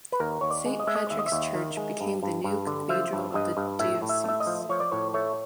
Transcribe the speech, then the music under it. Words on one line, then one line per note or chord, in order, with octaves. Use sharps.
Saint Patrick’s Church became the new cathedral of the diocese.
B4
D#2 A#4
D#2 C#5
D5
G#3
D#5
G#3 E5
D#5
D#2 E5
D#5
E5
D#2
D#3
G#3
G2
G2
G2
D3
F3 E5
G2
G2 D#5
G2
A2 E5
A2
E5
A3 E5
D#5
F3
F3 C#5
D5
A2 C#5
A3 C#5